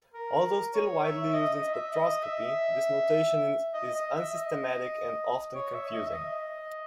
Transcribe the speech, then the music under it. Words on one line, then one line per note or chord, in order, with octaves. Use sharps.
Although still widely used in spectroscopy, this notation is unsystematic and often confusing.
A#4
C#5
E5
D#5
D#5
E5
D#5
E5
D#5
D#5
E5
D#5
C#5
E5
D#5
E5
D#5